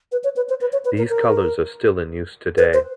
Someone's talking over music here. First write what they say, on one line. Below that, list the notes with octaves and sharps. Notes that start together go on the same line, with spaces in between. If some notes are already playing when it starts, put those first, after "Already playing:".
These colours are still in use today.
B4
C#5
B4
C5
B4
C#5
B4
A#4
A#4
B4
C5